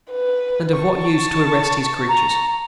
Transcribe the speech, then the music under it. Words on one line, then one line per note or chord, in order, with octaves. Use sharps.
And of what use to arrest his creatures?
B4
A5 C#6
A#5